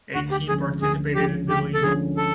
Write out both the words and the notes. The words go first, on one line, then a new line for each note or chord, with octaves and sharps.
Eight teams participated in the league.
D2 F#4
G4
D3 F3 G#3 C#4 G#4
D2 G#4
D3 F3 G#3 C#4 G4
D2 G4
A4
D3 F3 G#3 C#4 G#4
A4